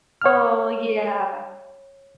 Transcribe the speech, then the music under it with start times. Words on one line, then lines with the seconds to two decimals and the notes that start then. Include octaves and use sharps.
Oh, yeah.
0.22 C#5 F6